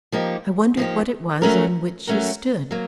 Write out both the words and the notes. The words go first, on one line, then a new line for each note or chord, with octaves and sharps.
I wondered what it was on which she stood.
F3 A#3 D#4 G4
F3 A#3 D#4 G4
F#3 A3 C#4 F#4 A#4
F#3 A3 C#4 F#4 A#4
F#3 A#3